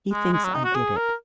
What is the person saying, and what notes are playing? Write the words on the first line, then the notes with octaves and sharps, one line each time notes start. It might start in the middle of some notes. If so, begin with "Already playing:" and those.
He thinks I did it.
G#3
G#3
F#3
D#4
F#4
G#4
A#4